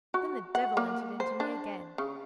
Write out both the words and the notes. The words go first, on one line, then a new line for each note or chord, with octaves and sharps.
Then the devil entered into me again.
F#4
F#5
A#3
C5
D4
C#3